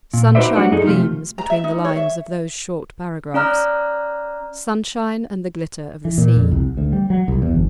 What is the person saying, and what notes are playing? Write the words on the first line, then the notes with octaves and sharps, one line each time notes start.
Sunshine gleams between the lines of those short paragraphs--sunshine and the glitter of the sea.
A#2
D#4 F#4 B4 C5 D5 E5
F#3 A3 D4 F#4 D5 F#5
F#2 D#4 G#4 A4
C3 E3 F3 A3 F4 G4
A#5
E5
D#4
C#5
E5
C#4 D5 A#5 F6 F#6
E3
A#2
F2
C2
D2
G3
F#3
C2
E2
G1